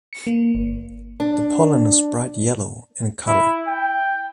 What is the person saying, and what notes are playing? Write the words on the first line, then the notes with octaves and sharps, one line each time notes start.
The pollen is bright yellow in colour.
C#7
A#3
G1
D4
E4
G5